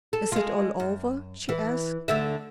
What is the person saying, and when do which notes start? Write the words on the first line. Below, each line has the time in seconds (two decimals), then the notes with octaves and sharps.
"Is it all over?" she asked.
0.13 A4
0.32 G#3 F4
0.80 F#2
1.49 E3
2.08 D2 D3 E5